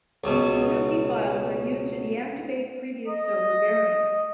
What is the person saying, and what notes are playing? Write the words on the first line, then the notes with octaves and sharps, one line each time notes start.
These empty files are used to deactivate previous Sober variants.
C#2 B2
D#5